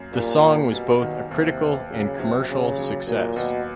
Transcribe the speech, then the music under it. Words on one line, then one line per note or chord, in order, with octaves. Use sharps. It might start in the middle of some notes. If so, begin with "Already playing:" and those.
The song was both a critical and commercial success.
Already playing: F#2 A#3
A#2 G3
A#3
B2 G3
D#3
D#2 C3
B3
C#3 F#3
C3 F#3
D#2 C#3
F#3
A#2 F#3
D#2 B2